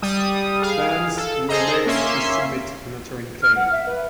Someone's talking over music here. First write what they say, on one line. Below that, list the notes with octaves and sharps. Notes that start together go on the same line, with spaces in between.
Plans were made to submit an interim claim.
G3 D#6
G#4 F5
A4
G#4 A4 C5 D#5 A#5
A#3 C#4 E5 C6
F6
F#5
E5
B4